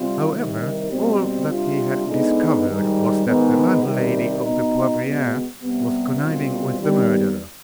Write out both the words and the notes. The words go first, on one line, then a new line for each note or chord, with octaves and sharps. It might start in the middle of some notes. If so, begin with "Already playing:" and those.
However, all that he had discovered was that the landlady of the Poivriere was conniving with the murderer.
Already playing: C3 G3 C4 F4
C2 C3 D#3 G3
B2 G3 C4
C3 G3 D4 F4
D3 G#3 B3 D#4
G#2 D#3 G3
G#2 D#3 G#3 B3
C2 C3 D#3 G3
B2 B3 D#4
B2 G#3 B3
C3 G3 B3
C2 B2 G3 C4 F4
D#2 D#3 G3 B3